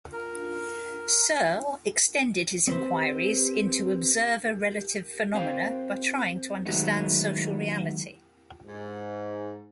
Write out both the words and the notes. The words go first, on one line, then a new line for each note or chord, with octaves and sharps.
Searle extended his inquiries into observer-relative phenomena by trying to understand social reality.
A#4
C4 B4 C5
C4 C5 F5 G5
D#3 F#3 G#3 A3 B3 D#4
G#2